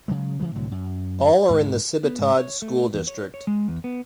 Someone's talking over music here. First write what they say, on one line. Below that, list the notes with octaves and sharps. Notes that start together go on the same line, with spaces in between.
All are in the Sibutad School District.
C#3 F#3 G#3
C#3 E3 G3 G#3
C2 A2 D3 F#3
F#2
D2 G#2 E3
B3
G#2
C#5
A3
E2
C#5
C#5
G#3
E2
B3